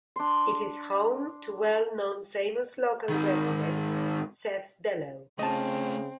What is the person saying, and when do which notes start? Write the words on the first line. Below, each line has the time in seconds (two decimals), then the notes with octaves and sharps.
It is home to well known famous local resident Seth Dellow.
0.16 D4 C6
3.09 G#2 D#3
5.39 C#3 A3 C4 F4 D#5 A5